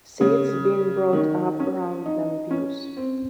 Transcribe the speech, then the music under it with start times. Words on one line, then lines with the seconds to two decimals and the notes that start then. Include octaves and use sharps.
Sid’s been brought up around them views.
0.21 C#3
1.13 D#3
1.60 C#4
2.06 D#4
2.51 C#4
2.97 C4